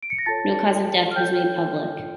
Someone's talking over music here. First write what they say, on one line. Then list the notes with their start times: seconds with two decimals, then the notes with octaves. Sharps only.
No cause of death was made public.
0.03 D7
0.10 C#7
0.18 A#6
0.26 F4 A4 C#5 A5 A6
1.11 F6
1.15 F4 A4 C#5 G5 G6